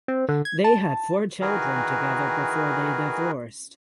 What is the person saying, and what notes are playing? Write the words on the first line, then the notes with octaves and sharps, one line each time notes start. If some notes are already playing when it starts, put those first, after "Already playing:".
They had four children together before they divorced.
C4
D3
G#6
A5
D#3 E3 F#4 G#4 A#4 B4